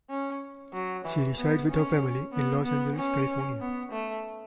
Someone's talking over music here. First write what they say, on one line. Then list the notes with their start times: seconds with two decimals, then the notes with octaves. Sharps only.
She resides with her family in Los Angeles, California.
0.10 C#4
0.74 F#3
1.05 E3
1.37 B3
1.69 C#4
2.32 B3
2.64 B3
2.96 C#4
3.60 B3
3.91 A3